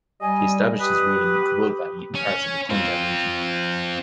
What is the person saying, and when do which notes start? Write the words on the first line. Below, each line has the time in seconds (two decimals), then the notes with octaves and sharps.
He established his rule in the Kabul Valley and parts of the Punjab region.
0.21 G3 D#5 G#5
0.80 G4 B4 D#6
2.15 C#4
2.70 C4 F4